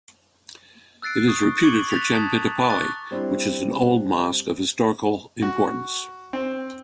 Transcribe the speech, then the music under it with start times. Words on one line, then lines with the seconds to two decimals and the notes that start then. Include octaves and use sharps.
It is reputed for Chempittapally which is an old Mosque of historical importance.
1.02 E6 F#6 A6 C7 D7
1.27 C#6 D#6 D7
1.61 C#6 D6 G#6 C#7 D7 F#7
1.89 F#6 A6 B6 F7
2.12 A5 A#5 D#6 G#6
2.70 C#6 D6 F#6 A6
3.11 G3 C4 D4 E4
5.42 F#4
6.33 C4